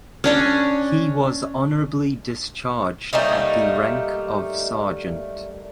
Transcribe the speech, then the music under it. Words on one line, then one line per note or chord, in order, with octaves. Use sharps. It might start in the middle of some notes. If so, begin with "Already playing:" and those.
He was honorably discharged at the rank of Sergeant.
C#4 D4 C#5
G3 A3 A#3 D#4